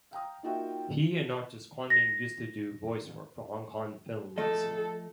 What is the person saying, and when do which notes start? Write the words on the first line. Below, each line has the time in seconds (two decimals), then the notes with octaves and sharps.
He and artist Quang Minh used to do voice work for Hong Kong films.
0.11 F5 G5 A#5 D#6
0.43 A#3 D#4 F4 F#4 E5 G5
1.90 A#6
4.38 F3 A3 A4 D#5